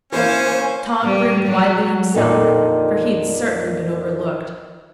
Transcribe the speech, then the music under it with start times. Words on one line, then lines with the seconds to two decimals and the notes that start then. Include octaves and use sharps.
Tom grinned widely himself, for he had certainly been overlooked.
0.12 E3 A#3 C#4 C5 G#5
1.03 G3
1.46 F#3
2.14 F2 A#2 D3 D#4 G4 A4